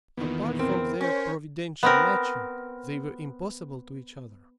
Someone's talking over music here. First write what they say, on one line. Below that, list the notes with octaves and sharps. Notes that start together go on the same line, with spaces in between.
Apart from their providential matching, they were impossible to each other.
E2 A#2 D#3 B3
C4 A#4
C#4 C5 C#5
B3 C4 A#4